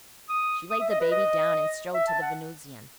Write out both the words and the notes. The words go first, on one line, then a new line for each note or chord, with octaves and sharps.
She laid the baby down, and strode to the Venusian.
D#6
D#6
E5
D#5
B4
D#5
E5
A5
F#5